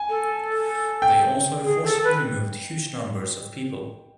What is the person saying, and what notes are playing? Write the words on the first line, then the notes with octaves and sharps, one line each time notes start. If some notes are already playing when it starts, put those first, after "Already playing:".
They also forcibly removed huge numbers of people.
Already playing: G#5
A4
G5
G#4
A4
B4